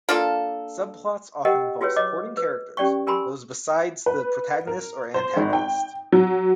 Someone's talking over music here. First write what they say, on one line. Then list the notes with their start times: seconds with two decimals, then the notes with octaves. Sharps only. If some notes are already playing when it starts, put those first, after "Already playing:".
Subplots often involve supporting characters, those besides the protagonist or antagonist.
0.09 A#3 D4 F4 A4
1.45 G4 A#4 D#5 F#5 G5
1.81 F4 F#4 G#4 B4 C#5
1.96 C#5 D#5 D6
2.37 B4
2.77 C#4 G4 D5 G5 C#6
3.07 G4 A#4 G#5 B5 C6
4.06 B4
4.67 A#4
5.14 C5
5.37 G#1
5.53 G5
6.12 F#3